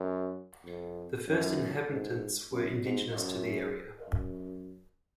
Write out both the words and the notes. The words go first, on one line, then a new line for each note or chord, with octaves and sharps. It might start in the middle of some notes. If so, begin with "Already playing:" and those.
The first inhabitants were indigenous to the area.
Already playing: F#2
F2
F#2
G#2
F#2
G#2
F#2
F#2